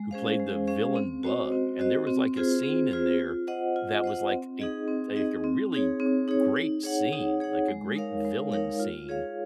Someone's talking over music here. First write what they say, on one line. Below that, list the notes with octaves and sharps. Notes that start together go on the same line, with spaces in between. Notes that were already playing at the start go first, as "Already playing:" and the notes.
who played the villain bug, and there was, like, a scene in there that was, like, a, like, a really gr great scene, like a great villain scene
Already playing: G#3
C#4 G#4 C5 F5
G#3
C#4 G#4 C5 F5
C4
F#4 C5 D#5
C4
F#4 C5 D#5
C4
F4 G#4 C5
C4
F4 G#4 C5
F4
C5 D#5 F#5
F4
C5 D#5 F#5
C4
D#4 G#4 D#5
C4
D#4 G#4 D#5
C4
D#4 G#4 C#5
C4
D#4 G#4 C#5
D#4
G#4 C#5 F#5
D#4
G#4 C#5 F#5
G#3
D#4 A#4 C#5 F5
G#3
D#4 A#4 C#5 F5
F4
G#4 C#5 F5